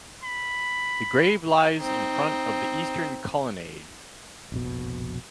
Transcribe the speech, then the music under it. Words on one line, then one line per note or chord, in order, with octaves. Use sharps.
The grave lies in front of the eastern colonnade.
B5
C4 D#4
F1 A#1 B2